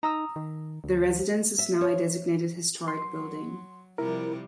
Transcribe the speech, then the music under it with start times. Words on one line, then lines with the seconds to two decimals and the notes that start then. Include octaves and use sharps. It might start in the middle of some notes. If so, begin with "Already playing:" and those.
The residence is now a designated historic building.
0.03 D#4 A#5 D#6 E6
0.36 D#3
0.84 D2
1.59 E5
1.81 C#5
2.88 F#3 C6
3.98 C3 F3 G3 E4 A#4